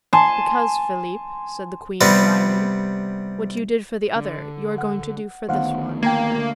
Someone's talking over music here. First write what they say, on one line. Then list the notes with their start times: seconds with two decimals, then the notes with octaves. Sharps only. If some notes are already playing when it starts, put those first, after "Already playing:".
"Because, Philip," said the queen dryly, "what you did for the other, you are going to do for this one."
0.13 G#5 A5 C6
2.01 C3 G3 B3
4.15 D3
4.78 F#5
5.49 D2 D#3 B3 C5 F5 F#5
6.02 A#3 G5 A#5 G#6
6.38 D2